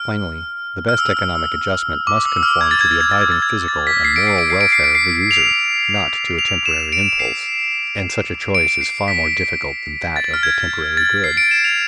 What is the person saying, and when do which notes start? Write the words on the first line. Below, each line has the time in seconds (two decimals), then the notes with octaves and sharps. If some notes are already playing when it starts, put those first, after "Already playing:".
Finally, the best economic adjustment must conform to the abiding physical and moral welfare of the user, not to a temporary impulse; and such a choice is far more difficult than that of the temporary good.
Already playing: F6
0.89 F6
0.98 E6
1.17 F6
1.35 E6
2.07 D6
2.25 E6
2.37 E6
2.43 F6
2.61 G#6
2.71 A6
2.81 G#6
2.91 A6
3.01 G#6
3.11 A6
3.21 G#6
3.32 A6
3.42 G#6
3.68 A6
3.87 B6
4.04 C7
4.16 D7
4.27 C7
4.38 D7
4.50 C7
4.61 D7
4.72 C7
4.84 D7
4.95 C7
5.31 F7
6.39 F7
6.66 E7
6.92 D7
7.19 C7
8.55 D7
8.81 C7
9.08 B6
10.16 A6
10.34 F6
10.43 G#6
10.97 A6
11.24 C7
11.37 D7
11.51 E7
11.64 F7